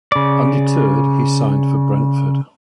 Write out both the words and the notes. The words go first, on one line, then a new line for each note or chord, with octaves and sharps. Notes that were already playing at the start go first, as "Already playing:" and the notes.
Undeterred, he signed for Brentford.
C#3 D5